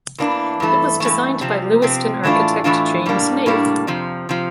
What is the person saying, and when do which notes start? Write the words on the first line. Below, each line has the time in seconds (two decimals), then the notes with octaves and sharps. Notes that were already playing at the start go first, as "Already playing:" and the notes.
It was designed by Lewiston architect James Nave.
0.18 E2 E3 A#3 D4
0.60 G2 E3 A3
1.00 G2 E3 A3
1.41 C3 F3 C4
1.82 C3 F3 C4
2.23 A2 E3 A3 D4 F4
2.64 A2 E3 A3 D4 F4
3.06 A2 G3 A#3 D4
3.46 A2 G3 A#3 D4
3.87 F2 C3 F3
4.29 C3 F3